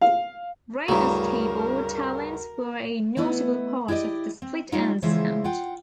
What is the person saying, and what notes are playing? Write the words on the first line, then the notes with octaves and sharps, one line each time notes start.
Rayner's keyboard talents were a notable part of the Split Enz sound.
F5
D2 G2 C#3 E4 A#4 A#5
A3 B3 E4 B4 D#5
E4 G4 G#4 D5 D#5
C4
F#3 G3 C#4 D#4 F4
C#3 E3 F3 G#3 C5 E5
F4 F#5 G5